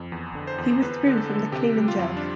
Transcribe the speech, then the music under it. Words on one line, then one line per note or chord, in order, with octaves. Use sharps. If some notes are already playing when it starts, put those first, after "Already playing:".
He withdrew from the clean and jerk.
Already playing: F2
E2
D3
C5
E2
E2 B4
D3
A4
D3
C3 G4
G3
F4
F2
D4